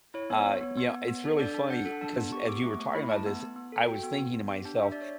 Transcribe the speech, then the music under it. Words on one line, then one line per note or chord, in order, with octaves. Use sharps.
uh, you know, it's really funny, 'cause as you were talking about this, I was thinking to myself,
E4 C#5
B3 C#5
B3 C#5
B3
B3
B3
B3
A4
D4 D5
D4
D4 F#5
A4
D4 A5
B3
G4 C#6
B3 D6
A3 C#6
A3
E4 B5
A3 A5
B3
B3
B3
A4
F#4 G5
B3
B3
B3
G4
D4
D4 E5
D5
D4
C#5